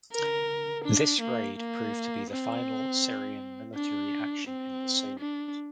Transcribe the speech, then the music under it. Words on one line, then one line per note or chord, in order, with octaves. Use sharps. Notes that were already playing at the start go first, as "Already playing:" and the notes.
This raid proved to be the final Syrian military action in the salient.
A#4
D4
A#3
A#3
C4
D4
C4
D4